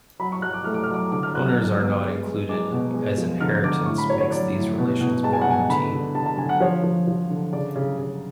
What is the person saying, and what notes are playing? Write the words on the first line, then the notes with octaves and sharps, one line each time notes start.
Owners are not included, as inheritance makes these relations more routine.
F#3 B5
C#6
F#3 F#6
D6
A3 F6
D6
F6
F#3 D6
D3 D6
F6
F#3 F#6
F#6
F#3 F6
B3
G#3
G#3
G#3 D6
B2
G#3
F3
D3 F6
D3 D6
A2 C#6
B5
F#3 C#5
C#5
F#3 D5
A2
B2
B2
G#3 A5
G#5
F#5
B2 G#5
D3 B5
D3
D3 A5
A5
D3 G#5
F#5
F3 C#5
F3
F3
D3
C#3 D5
C#3
C#3